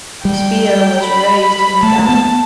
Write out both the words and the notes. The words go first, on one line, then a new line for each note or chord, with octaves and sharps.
Spio was raised in Ghana.
G3 G5
B5
A3 A5
A3
B3